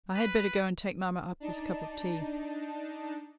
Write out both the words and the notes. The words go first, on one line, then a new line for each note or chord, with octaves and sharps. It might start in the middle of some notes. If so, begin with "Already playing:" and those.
'I had better go and take mamma up this cup of tea.
B4
D4 D#4 A5